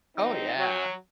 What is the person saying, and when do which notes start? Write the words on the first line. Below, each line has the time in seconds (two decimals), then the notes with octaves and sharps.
Oh, yeah.
0.16 D#2 D#3 F#3 C4 D#4
0.56 F#3